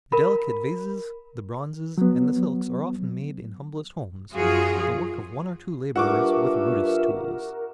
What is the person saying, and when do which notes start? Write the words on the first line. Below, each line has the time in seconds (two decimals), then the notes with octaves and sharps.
The delicate vases, the bronzes, and the silks are often made in humblest homes, the work of one or two laborers with rudest tools.
0.12 A#4 B5
1.98 F#3 B3
4.33 F#2 F3 F4 F#4 G#4
5.96 G2 F4 A#4 E5 F#5 C#6 D6